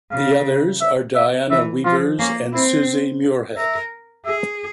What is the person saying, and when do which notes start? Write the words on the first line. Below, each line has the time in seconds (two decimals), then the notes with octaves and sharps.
The others are Diana Weavers and Suzie Muirhead.
0.11 C#3 F5
0.81 E5
1.15 E5
1.50 E3 E5
1.84 F3 F4
2.19 A#3 C#4
2.53 C4 E4
3.57 A#4 E5
4.26 G#4 E5